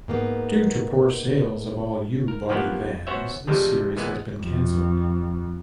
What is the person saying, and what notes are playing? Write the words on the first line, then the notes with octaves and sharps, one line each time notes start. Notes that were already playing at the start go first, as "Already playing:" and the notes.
Due to poor sales of all U-Body vans, this series has been cancelled.
G#2 A#3 B3
A#4
A2 F3 A#3 B3 G4 F#5
B3 C#4 F#4 C5 C#5 E5
A2 C3 E3 F3 G3 G#3
A#2 E3 G#3 B3
F2